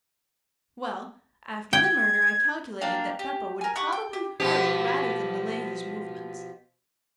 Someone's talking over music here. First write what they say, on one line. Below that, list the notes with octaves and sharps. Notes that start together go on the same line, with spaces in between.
Well, after the murder I calculated that Beppo would probably hurry rather than delay his movements.
G5 G#6
A#3 D4 F5 G5
G4
A#4 G#5
G4 F#5 C#6 F#6
G5
G4
B2 F3 G4